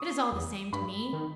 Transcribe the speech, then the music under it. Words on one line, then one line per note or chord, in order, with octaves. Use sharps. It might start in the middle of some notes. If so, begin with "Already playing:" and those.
It is all the same to me.
Already playing: C#6 D#6
E2
G2 B5
D#3